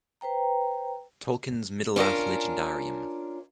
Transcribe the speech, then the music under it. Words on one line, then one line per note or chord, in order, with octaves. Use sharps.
Tolkien's Middle-earth legendarium.
B4 C5 G5 A#5
C#4 D4 F4 A#4